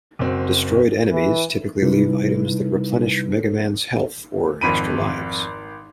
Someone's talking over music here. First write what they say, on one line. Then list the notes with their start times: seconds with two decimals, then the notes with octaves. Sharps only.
Destroyed enemies typically leave items that replenish Mega Man's health or extra lives.
0.19 F#1 C4 F#4
1.11 E3
1.82 C3 G3 D#4 E4 B4
4.61 G#1 F2 B5 B6 D7 D#7